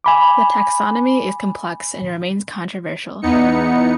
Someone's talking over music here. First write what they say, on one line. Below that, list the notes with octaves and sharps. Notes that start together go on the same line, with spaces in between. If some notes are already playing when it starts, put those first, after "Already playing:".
The taxonomy is complex and remains controversial.
G#5 B5 D6
E2 B3 D#4 C#7